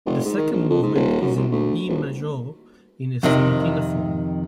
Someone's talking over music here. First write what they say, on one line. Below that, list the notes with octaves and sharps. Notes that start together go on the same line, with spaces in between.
The second movement is in B major in a sonatina form.
F1
G#2
D#3
A#1
F2
G#2
D#1
F#2
C2
D2
D#1
F2 C3 D#3